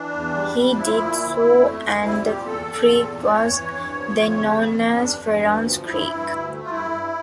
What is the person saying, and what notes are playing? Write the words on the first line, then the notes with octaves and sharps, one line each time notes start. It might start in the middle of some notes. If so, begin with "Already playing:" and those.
He did so and the creek was then known as Ferron's Creek.
Already playing: E3 D4
E2
G3
G3
D4
F3 E4
A#2
D2
D2
A3
D2
G3 E4
A#2 G4
E2 A4
E2
A#2
A#2
D5
E3 C#5
E3
G2
F3
D2
C#3
F2
F2
C#4
G2 D4
G2
D2
F3
G2 E4
G2
D2
A3
F4
G2 E4
G2